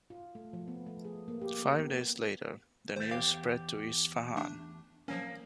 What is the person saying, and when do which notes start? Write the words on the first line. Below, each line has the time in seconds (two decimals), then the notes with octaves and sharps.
Five days later, the news spread to Isfahan.
0.10 F4
0.35 A3
0.53 F3
0.68 B3
0.86 A3
1.05 G#4
1.28 A#3
1.41 G4
1.63 A#4
1.79 B3
2.96 D#2 A3 C5
3.11 E2 G4 F5
4.36 A3 D4
5.08 F3 F#3 A#3 C#4